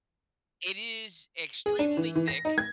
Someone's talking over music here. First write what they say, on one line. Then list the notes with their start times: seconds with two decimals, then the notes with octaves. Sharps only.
It is extremely thick
1.66 G#4
1.79 D4
1.97 E3
2.16 E3
2.28 A#6
2.45 D#4
2.58 G#6